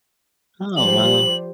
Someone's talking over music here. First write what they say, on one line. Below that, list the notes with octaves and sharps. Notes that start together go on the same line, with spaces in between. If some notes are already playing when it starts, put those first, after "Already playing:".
Oh, wow.
F3 G3 C5 F#7